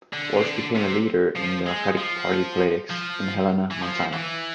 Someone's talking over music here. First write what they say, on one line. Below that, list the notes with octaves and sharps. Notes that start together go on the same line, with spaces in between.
Walsh became a leader in Democratic Party politics in Helena, Montana.
D3
C3
D3
C3
F3
G#3
F3
F3
E3
F3
E3